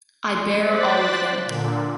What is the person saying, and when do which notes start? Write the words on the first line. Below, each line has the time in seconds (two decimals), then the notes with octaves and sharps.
I bear all of them.
0.62 C5 D5 F#6 A6 B6
1.46 A#2 D3